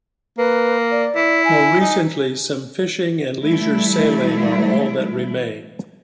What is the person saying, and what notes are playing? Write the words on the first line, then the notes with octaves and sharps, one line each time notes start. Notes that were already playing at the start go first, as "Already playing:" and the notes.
More recently, some fishing and leisure sailing are all that remain.
A#3 B4
D5
E4
G#5
D#4
E3 G3 A3 E4